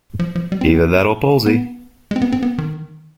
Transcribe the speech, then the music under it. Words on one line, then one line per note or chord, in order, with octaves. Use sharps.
Either that or palsy.
F3
F3
G3
C4
B3
B3
G#3
C4
B3
C4
B3
D#3